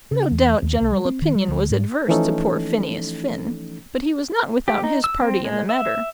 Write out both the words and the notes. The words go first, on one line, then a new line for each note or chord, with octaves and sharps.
No doubt general opinion was adverse to poor Phineas Finn, but he was not without his party in the matter.
C#3
E2
D#2
C2
G3
C4
D#3
G3
D2
G#2
E3 F3 A3 C#4 D#4 A4
G4
D#4
E6
C4
G#3
E5